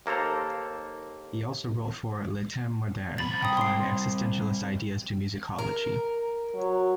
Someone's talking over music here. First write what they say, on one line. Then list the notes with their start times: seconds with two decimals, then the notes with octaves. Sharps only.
He also wrote for "Les Temps modernes", applying existentialist ideas to musicology.
0.06 D#2 A#3 A4 C5 A#5
3.18 C2 B5 A6
3.43 G5 D#6
3.57 C6 C7
5.59 A#4
6.55 F#3